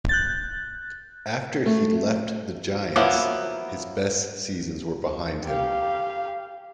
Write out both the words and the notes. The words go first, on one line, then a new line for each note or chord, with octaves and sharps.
After he left the Giants, his best seasons were behind him.
F#6 G6 A6
A3
F3 F#3 A#3 B3 E4
G4 F5